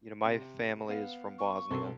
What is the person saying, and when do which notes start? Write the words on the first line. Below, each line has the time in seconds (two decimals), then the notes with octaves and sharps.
You know, my family is from Bosnia,
0.25 C3
0.88 B3 F5
1.38 C#6
1.71 B1 C4 A4 C6